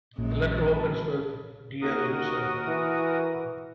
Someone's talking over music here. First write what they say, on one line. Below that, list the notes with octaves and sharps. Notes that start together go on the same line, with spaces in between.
The letter opens with "Dear Loser".
A#1 F#2 A#2 G#3
A5 B5
D#2 F#4 A#4 D#6
E3